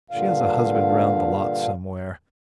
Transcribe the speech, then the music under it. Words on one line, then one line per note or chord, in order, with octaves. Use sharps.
She has a husband round the lot somewhere.
G2 A#2 D3 F5